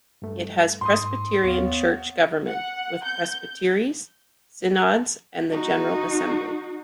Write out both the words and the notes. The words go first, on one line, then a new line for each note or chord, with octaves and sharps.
It has Presbyterian church government with Presbyteries, Synods and the General Assembly.
G2 A3
G#2 C6 D#6
D#2 B3 C#5 F5
F#5
G6
D#4 F#4